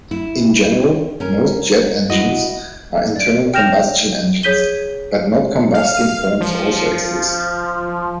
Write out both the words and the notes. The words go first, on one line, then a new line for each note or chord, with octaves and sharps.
In general, most jet engines are internal combustion engines but non-combusting forms also exist.
E4
C#4 A#4
E4 F#4 D#5
D5 D7
G5 F6 G6 A#6 E7 F7
G#4 C#5 G6 B6 D#7 G7
F5
F3